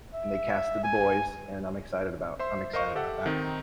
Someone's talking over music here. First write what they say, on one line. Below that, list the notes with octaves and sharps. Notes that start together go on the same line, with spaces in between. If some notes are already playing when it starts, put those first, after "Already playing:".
and they casted the boys, and, I'm excited about I'm excited about that.
E5
G#5
C5 E5 C6
A#4 C5 D#5 F5 C#6
G4 A4 E5 F#5
D#3 C4 D#4